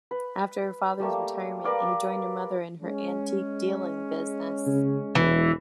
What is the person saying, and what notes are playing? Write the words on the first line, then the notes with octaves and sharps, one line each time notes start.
After her father's retirement, he joined her mother in her antique dealing business.
B4
G3 A3 A#3
A#4 B4 D5 F5
G#3 C#4
C#3
E1 E3